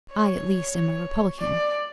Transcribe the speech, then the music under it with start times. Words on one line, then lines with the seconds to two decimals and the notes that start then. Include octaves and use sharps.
"I, at least, am a Republican!"
0.12 C#5
1.40 D5